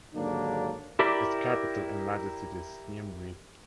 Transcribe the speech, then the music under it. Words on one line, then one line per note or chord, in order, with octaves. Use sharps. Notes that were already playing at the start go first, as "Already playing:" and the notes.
Its capital and largest city is Siem Reap.
D#2 G#2 D3 F#3 A#3 D4
E4 G4 A#4 D5 B5